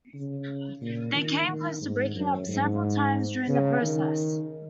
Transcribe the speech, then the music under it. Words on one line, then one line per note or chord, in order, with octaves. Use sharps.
They came close to breaking up several times during the process.
C#3
A#2
D#3
D#3
G#2
F#2
G#2
C#3
D#3